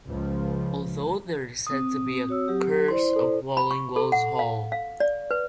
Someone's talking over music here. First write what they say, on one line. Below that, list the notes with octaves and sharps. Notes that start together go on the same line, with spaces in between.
Although there is said to be a "Curse of Wallingwells Hall".
C#2 F3
C4 D#6
F#4 C#5 E6
F#3 G4
E4 C5 D5 C6
A4
B5
C#6
A4
F#5
F5
F5
D5
B4